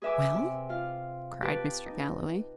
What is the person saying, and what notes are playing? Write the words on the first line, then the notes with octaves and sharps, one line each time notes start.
"Well?" cried Mr. Galloway.
G#4 B4 E5 G#5 D6
C3
F4 F5
G4 B4 A5
D#4